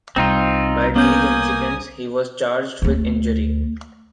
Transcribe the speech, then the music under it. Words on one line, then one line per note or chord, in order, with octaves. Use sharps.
By these incidents he was charged with injury.
C2 C4 D#4 F4
A#3 B3 C#4 G#5 D#6 G6
D2 A3